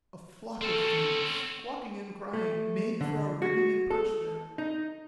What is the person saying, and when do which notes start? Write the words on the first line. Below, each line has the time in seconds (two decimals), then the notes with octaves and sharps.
A flock of them, squawking and crying, made for our rigging and perched there.
0.61 C4 C#4 A4
2.33 A3
3.01 D3
3.42 F#4
3.90 A4
4.58 D#4